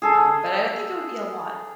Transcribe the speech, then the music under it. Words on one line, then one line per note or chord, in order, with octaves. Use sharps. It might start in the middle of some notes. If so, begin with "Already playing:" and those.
um, but, I don't think it would be a lot.
G#4 A4